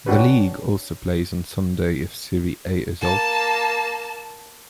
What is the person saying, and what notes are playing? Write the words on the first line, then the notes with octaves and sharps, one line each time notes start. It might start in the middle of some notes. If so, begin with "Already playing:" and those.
The league also plays on Sunday if Serie A is off.
C#4 D4 F#4 G4 B4
A#3 A5